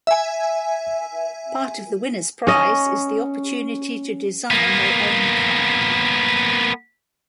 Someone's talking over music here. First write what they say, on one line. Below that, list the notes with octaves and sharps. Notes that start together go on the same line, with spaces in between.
Part of the winner's prize is the opportunity to design their own card.
E5 G#5
C#4 D#5
A#3 B3